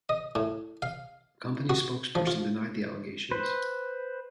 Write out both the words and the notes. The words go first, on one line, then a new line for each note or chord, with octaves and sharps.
A company spokesperson denied the allegations.
D#5
A2
F5
F#4
F3
F4
B4 C5